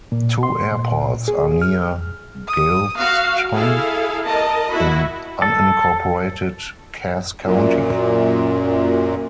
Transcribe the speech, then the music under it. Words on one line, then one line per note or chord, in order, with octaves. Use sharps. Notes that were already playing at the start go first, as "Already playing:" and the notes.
Two airports are near Galveston in unincorporated Cass County.
A#2
C6
A#2
G#4
F6
D#6
F#4 F5
E4 G#4 A4 F5
A#4 D#5 A5
E4 F#4 B5
A4
F#2 A#2